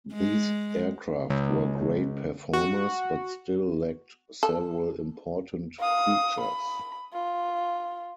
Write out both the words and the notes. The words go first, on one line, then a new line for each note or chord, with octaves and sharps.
These aircraft were great performers, but still lacked several important features.
G#3
C#2
F#4
A4
F5 D#6
B5
F4